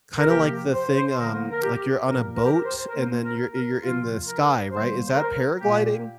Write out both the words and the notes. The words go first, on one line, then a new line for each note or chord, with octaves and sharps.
kinda, like, the thing, um like, you're on a boat, and then you're you're in the sky, right? Is that paragliding?
A#4
C3 F3 A#3 G4
C5
C5
D3 F3 A#3 A#4
A#4
G4
A#2 F3 A#3 A#4
A#4
G4
A#4
C5
A#4
D3 A#3 C5
A#4
A#4
C3 F3 A#3 F4
A#4
D3 G3 A#3 C5
C5
A#4
A#2 A#3 G4